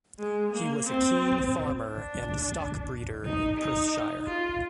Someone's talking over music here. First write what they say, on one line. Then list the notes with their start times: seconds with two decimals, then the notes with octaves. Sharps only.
He was a keen farmer and stock breeder in Perthshire.
0.19 G#3
0.52 A#3
0.87 C4
1.88 D4
3.25 D#4
3.59 D#4
4.26 F4